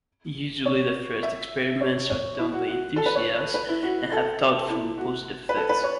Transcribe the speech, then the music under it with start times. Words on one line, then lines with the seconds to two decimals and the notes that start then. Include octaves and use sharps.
Usually the first experiments are done by enthusiasts and have doubtful positive effects.
0.66 C#5
1.23 E5
1.81 C#5
2.10 C#5
2.39 E4
2.53 F#4
2.68 F#4
2.96 A4
3.06 B4
3.15 C#5
3.54 B4
3.68 E4
3.83 F#4
4.12 A4
4.69 E4
4.98 F#4
5.49 B4
5.56 A4
5.69 B4
5.84 C#5